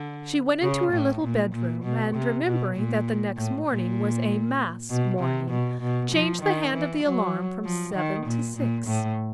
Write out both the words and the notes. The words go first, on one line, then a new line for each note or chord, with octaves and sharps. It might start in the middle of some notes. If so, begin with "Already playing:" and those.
She went into her little bedroom and, remembering that the next morning was a mass morning, changed the hand of the alarm from seven to six.
Already playing: D3
C#3
A2
A#2
A#2
B2
C3
B2
A#2
A2
A#2
B2
C3
B2
B2
F3
D#3
E3
F#3
F3
D#3
A#2
A#2
A2